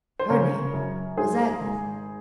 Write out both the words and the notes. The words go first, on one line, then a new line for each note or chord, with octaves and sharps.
Her name was Agnes.
C5
C#3 A#4 C#5
F#2
G#2 G#4 C5
G#1